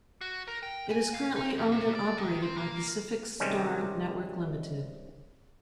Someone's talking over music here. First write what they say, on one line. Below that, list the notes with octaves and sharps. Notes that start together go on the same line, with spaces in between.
It is currently owned and operated by Pacific Star Network Limited.
F#4
A#4
G5
G#5
F5
D#4
E2
C3
D5
D#3
C4
A#3
C3 D#3 G3 G#3 C#4